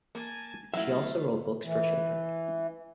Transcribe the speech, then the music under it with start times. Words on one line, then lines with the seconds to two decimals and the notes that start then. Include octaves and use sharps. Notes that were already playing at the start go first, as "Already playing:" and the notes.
She also wrote books for children.
0.15 A#3 G#5 A5
0.74 F#3 A3 E4 E5 F5
1.63 E3